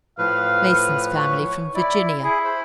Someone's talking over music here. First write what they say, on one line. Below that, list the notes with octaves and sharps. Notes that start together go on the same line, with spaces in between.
Mason's family, from Virginia.
A2 F3 B4 F5
C#5
E4 D5
E4 G#4
C5 B5